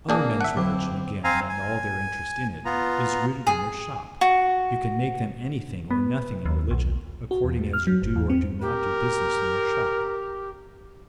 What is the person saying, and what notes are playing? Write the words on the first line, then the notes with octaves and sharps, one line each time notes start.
Other men's religion, again, and all their interest in it, is rooted in their shop; you can make them anything or nothing in religion, according as you do or do not do business in their shop.
A#1 A#3 D4 G#4
E5 F#5 A5
D3 F#3 C4 D6
C4 F5 G#5 A#5
G#5
B3 F4 A#5
G#4
F#4
B3
D#2
B1
F#4
E2
G#3
F6
F#3
G1
E2
C4
G4 A#4